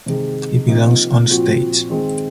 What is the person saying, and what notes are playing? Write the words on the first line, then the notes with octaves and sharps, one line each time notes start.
He belongs on stage!
C3 D#3 G#3
C3 F3 A#3 D#4
A#2 F3 C4 F#4
D#3 G#3 C4